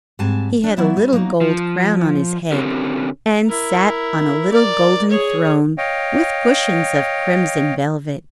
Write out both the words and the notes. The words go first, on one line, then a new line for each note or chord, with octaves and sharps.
He had a little gold crown on his head, and sat on a little golden throne with cushions of crimson velvet.
G#2 G3 C4 G#5 A5
D4
F#3 B3 E4 D5 E5
G3
F#3 A#3 B3 C#4 D#4 F#4
F3
D3 C4 C#4 G4 A#4
E4 A#4
A#4 D5
G#4 C#5
C#5 D#5 F5 G5